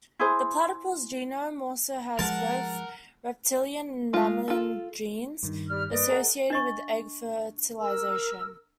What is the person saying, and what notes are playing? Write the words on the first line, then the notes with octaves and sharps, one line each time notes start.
The platypus genome also has both reptilian and mammalian genes associated with egg fertilisation.
E4 G#4 C5
F3 G#3 A#4 F#5 A5
G#3 F4
F4 A4
G2 D#3
G3 G4 F6
G2 A#3 B4 D5 D#5
G#4 A#4 F#5
D4 D#5 C#6
A#4 E6